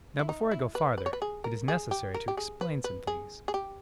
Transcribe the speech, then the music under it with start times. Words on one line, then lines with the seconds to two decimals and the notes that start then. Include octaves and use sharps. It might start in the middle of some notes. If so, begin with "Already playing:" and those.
Now, before I go farther, it is necessary to explain some things.
0.19 E4
0.29 D#4
0.51 E4
0.75 B4
0.98 B4
1.06 C#5
1.13 B4
1.22 G#4
1.44 A#4
1.68 G#4
1.91 G4
2.14 A#4
2.28 G4
2.37 G#4
2.61 B4
2.84 B4
3.07 G#4
3.48 G#4
3.54 G4